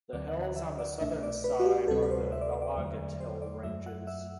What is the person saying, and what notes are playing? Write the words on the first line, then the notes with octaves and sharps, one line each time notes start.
The hills on the southern side are the Balaghat Hill ranges.
D2 D3 F#3 C4 D5
F#5
F#5
E5
D5
C2 B2 A3 D4 E5
D5
B4
F#4
G4
D2 C3 G3 C4 A4
B4
C5
E5
D5
C5
D5
E2 D3 F#3 A3
C5
D5
F#2 F#3 A3 E5
F#5
E5